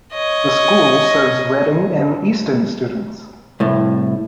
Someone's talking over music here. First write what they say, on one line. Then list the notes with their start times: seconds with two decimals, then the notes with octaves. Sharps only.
The school serves Redding and Easton students.
0.13 C#5 D#5
3.60 C2 A2